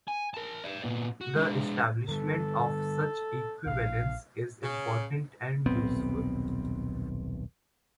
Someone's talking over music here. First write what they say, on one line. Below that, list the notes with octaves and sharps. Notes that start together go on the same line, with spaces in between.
The establishment of such equivalence is important and useful.
G#5
A#4 A5
B4 D5
A#2 B3
F#4
G#3 D4
D3 G3 A4
D1 A#1 F5
C#3
D#1 B1 B3 C4